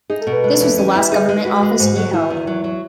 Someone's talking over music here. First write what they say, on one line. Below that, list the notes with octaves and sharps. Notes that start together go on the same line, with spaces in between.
This was the last government office he held.
D#4 G#4
A4
B2
B4
G#3 B4
E2
C#4
E4
D#4 G#4
G#3
F#4 B4
G#3
G#2
F#3
D#3 E4
E2
F#3
F#3